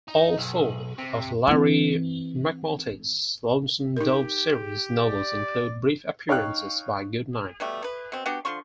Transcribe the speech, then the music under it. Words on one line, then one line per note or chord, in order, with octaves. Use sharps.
All four of Larry McMurtry's Lonesome Dove series novels include brief appearances by Goodnight.
D#4
B1
C3
E3 C4
D#4 G4 A#4
D5
D#4 C#5 F5 G5 C#6 F#6
B2 G3 A3
B4
B2 C4
B3 D4 F#4 G4
D3 F3 C6 C#6